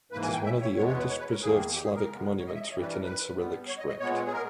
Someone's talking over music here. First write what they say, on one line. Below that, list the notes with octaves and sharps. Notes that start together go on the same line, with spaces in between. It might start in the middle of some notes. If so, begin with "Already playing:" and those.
It is one of the oldest preserved Slavic monuments written in Cyrillic script.
G#2 E3 A#3 B4
G#5
G5
E5
C#5
E2 B2 G#3 B3 C#5
C#5
B4
C#5
B4
A#4
E2 D#3 A#3 G#4
G4
G#4
A#4
C#3 G#3 B3
C#5
D#5
E5
D#5
G2 E3 G3 C#5
B4
A#4
B4
G2 G3 B3
C#5
D#5
D#5
A#2 G#3 B3 C#5
G#4
A#4